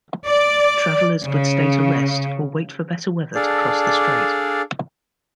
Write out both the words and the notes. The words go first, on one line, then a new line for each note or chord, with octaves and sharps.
Travelers would stay to rest or wait for better weather to cross the strait.
D5
C#3
D4 G#4 A4 D5 F5